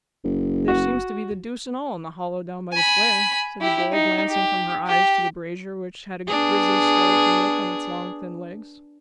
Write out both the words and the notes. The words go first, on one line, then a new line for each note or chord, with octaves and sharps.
'There seems to be the deuce-and-all in the hollow down by the flare,' said the boy, glancing from her eyes to the brazier, which had a grisly skeleton look on its long thin legs.
F#1
F#4
G#5 B5
E4 G4
D#4
G4
G4
B3 D4 G#4